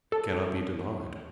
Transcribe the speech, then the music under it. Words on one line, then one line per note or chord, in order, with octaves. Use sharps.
'It cannot be denied.'
A4